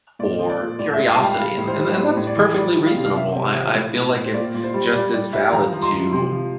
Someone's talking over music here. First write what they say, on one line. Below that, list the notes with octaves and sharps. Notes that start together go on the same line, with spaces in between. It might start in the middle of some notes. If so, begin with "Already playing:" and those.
or curiosity and and then that's perfectly reasonable, I I feel like it's just as valid to,
A#2 D5
F3
D5
A#2
A2 D5
E5
A2
F5
G3 A5
G5
G3 F5
A2
C5
G3
A2 C5
A2
D5
E3
G3 D5
E3
F5
C3
F5
C3 E5
C3
C5
F3
A2
A2
A2
C5
A#2 D5
A#2
C5
G3
G3 D5
G3 D5
G3 E5
F3 A#5
F3
C6
F3
C3 C6
F3